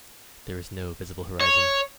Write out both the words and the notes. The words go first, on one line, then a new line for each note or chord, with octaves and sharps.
There is no visible horizon.
C#5